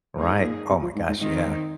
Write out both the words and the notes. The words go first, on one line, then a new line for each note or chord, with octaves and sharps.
Right, oh my gosh, yeah.
G#2 A#3 D#4 G#4
A#2
C3
F3
G#2
G#2
G#2 D#3 C4 D#4
G#2